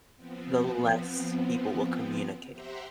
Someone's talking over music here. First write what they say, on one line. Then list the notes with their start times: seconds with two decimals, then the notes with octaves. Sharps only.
the less people will communicate.
0.16 F3 B3 C4
2.51 G4 C5 E5 F#5 A#5 C6